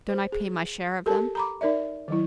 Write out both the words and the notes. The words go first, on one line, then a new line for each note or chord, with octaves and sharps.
"Don't I pay my share of them?"
C5
G#4
G4 A4 A#4 A5
A#5 B5 D6
D#4 A#4 D5 E5
D#3 F#3 E4